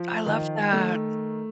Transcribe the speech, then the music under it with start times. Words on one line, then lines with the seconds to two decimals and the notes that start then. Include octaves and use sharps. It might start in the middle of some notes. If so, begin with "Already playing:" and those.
I love that.
Already playing: F3
0.26 D#3
0.73 A3